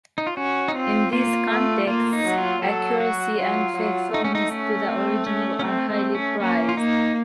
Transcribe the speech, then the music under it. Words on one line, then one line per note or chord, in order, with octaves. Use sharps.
In these contexts, accuracy and faithfulness to the original are highly prized.
D#4
F4
C#4 F#4
D#4
C4 F4
A#3 F4
A3
A#3 F4
D#4
F#3
F4
F#3 A4
F#4
F#3 F4
F#3
A3 D#4
C#4
D#4
C#4
C4
C#4
C#4
C4
C4
C#4
A#3 C#4
F4
A#3 D#4